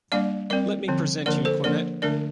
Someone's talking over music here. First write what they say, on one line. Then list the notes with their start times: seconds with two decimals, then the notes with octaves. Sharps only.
Let me present you Quimet.
0.12 G3 A#3 D4 D5 F5
0.50 G3 C4 A#4 D5
0.88 D3 F3 C4
1.26 D3 F3 A#3 D4 A#4 D5
1.45 A4 C5
1.64 F3 A#3 D4 A#4 D5
2.02 D3 A3 D4 A#4 D5